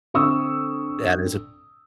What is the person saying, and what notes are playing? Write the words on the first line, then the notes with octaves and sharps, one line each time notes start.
That is a
D3 C4 C#6 D#6 E6